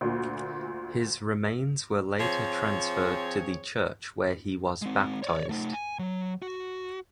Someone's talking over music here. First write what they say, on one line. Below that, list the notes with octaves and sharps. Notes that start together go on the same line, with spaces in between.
His remains were later transferred to the church where he was baptized.
D2 A#2
F3 C4 G#4 C#5
G#3 C4
C#5 D5
A3 D#4
G#5
F#3
F#4